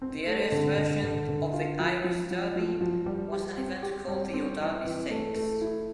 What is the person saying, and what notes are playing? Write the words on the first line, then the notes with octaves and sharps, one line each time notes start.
The earliest version of the Irish Derby was an event called the O'Darby Stakes.
C4
A3
D3
D3
D3
D3
F4
F3
F3
F3
F3
F3
G3
G4
C4
G4
G3
C4
E3
E3
A3
A3
E4